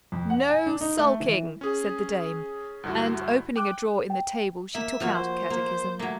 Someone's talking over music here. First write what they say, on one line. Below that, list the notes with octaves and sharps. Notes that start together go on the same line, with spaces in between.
"No sulking!" said the dame; and opening a drawer in the table, she took out a catechism.
F2
F#5
G#5
D4
D#4
A3
E3
C#4 G#4
D2 G2 D3 E4 F#4
G5 D6 F#6
G5
A#3 E5
F3 A#3 F#4
C5
A#3
F#3 A3 A#3